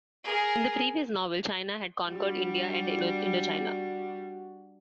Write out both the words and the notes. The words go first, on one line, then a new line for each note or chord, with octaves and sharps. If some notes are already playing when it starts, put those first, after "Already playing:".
In the previous novel, China had conquered India and Indochina.
G#4 A#4
G3 D4 F#4